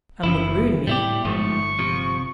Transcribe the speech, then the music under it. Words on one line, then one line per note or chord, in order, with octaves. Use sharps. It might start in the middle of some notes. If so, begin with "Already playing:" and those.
"And would ruin me."
F#1 C#3 F3 E4
A2 G3 B3 E4 G4
G1 G#2 F3 A3 C#6
C3 F3